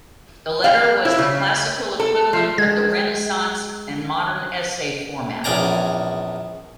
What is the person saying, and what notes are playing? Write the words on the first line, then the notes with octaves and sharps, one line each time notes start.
The Letter was the classical equivalent of the Renaissance and modern Essay format.
F5
E4
C#3
A4
F3
G#3 G#6
A#1 E2 C#4 D5 A#5